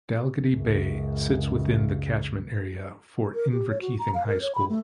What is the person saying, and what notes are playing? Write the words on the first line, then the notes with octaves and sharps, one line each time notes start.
Dalgety Bay sits within the catchment area for Inverkeithing High School.
C#2 F#2 C#3
A#4
G4
C#5
F#4
A#5
F5
A#4
C#5
B5
A3